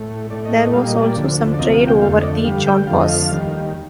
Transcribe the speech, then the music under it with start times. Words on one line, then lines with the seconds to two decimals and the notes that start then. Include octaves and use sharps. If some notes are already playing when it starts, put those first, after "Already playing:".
There was also some trade over the Jaun Pass.
Already playing: A2 A3
0.30 A2 A3 D5
0.45 D#5
0.59 D#5
0.73 A#2 G3 A#3 F5
0.87 D#5
1.02 D5
1.16 D2 D3 F3
1.54 D5
1.59 D2 C3 F3 A#3 D#5
1.74 F5
1.87 G5
2.02 F2 D3 A3 F5
2.20 D#5
2.23 D5
2.44 G2 D3 G3 F5
2.67 G5
2.87 F2 D3 F3 A3 F5
2.99 D#5
3.09 F5
3.30 D#2 D#3 G3